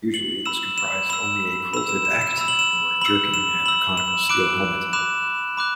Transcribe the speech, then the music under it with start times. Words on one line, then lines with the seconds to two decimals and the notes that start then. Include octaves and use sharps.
Usually this comprised only a quilted "aketon" or jerkin and a conical steel helmet.
0.14 F#7
0.46 B5 E6 E7
0.78 E7
1.10 B5 E6 E7
1.73 B5 E7
1.77 E6
1.89 E7
2.05 E7
2.22 E7
2.38 B5 E6 E7
2.48 F#7
2.59 E7
3.01 B5 E6 F#7
3.34 E7
3.65 B5 E6 F#7
3.97 E7
4.29 B5 D6 F#6 D7
4.93 B5 D6 F#6 E7
5.57 B5 D6 F#6